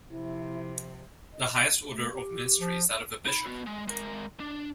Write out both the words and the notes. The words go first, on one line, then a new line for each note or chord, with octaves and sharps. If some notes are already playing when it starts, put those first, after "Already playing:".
The highest order of ministry is that of a Bishop.
C3 F3 E4
D#5
A3
G4
F3
D#4 B5
B3 F#4
G#3
G#3 A#4
D4